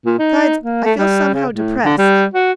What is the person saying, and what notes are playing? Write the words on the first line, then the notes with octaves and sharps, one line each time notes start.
"Besides I feel somehow depressed."
A#2
D#4
A#3
A3
G3
C#3
A2
D3
G3
F#4